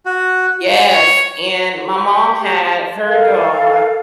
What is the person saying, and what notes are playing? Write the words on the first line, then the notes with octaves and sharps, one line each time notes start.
yes, and my mom had her dog,
F#4
C#5
G4
A4 A#4 F5